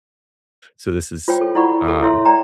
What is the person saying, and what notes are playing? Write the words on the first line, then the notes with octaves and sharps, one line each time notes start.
So, this is, um,
F4 C5 C#5 G5
A4
E4 D5 F#5 B5 C#6
A4
E4 C#5 E5 C6
C#5 D5 G5 A#5